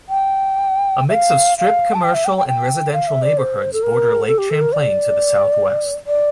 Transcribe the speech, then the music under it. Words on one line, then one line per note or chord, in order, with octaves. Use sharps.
A mix of strip commercial and residential neighborhoods border Lake Champlain to the southwest.
G5
E5
F5
F5
A5
G5
E5
G5
G5
G5
F5
E5
D5
C5
A4
A#4
A4
G4
A4
A#4
D5
D5